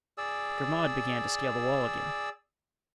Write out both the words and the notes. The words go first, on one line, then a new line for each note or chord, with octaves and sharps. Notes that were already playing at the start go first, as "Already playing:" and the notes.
Grimaud began to scale the wall again.
G#4 D5 E6